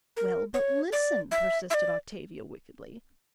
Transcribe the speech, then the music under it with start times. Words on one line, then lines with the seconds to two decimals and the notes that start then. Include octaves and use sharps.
"Well, but listen," persisted Octavia wickedly.
0.17 A#4
0.54 C#5
0.92 D5
1.31 E5
1.70 E5
1.74 D5